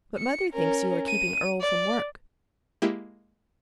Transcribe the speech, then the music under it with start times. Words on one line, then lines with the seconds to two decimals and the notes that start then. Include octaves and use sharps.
"But mother thinks you are keeping Earle from work."
0.18 C#7
0.53 C#4 A#4
1.07 D#7
1.61 D5
2.82 G#3 A#3 E4 G4